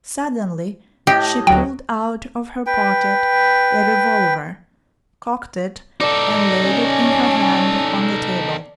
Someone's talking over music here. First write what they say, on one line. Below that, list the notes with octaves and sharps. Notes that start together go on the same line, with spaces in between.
Suddenly she pulled out of her pocket a revolver, cocked it and laid it in her hand on the table.
A2 G4 D#5
D2 F#3 G5
B4 G5
D#4 A4 D5
C#4